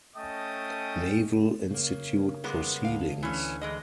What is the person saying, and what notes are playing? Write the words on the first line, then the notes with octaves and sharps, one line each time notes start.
Naval Institute "Proceedings".
A3 C#4 D#5 G5 A5 D#6
C#3 A#3
G3 G#3 B3
D2 F5
E3 C#4
E3 G#3 D#5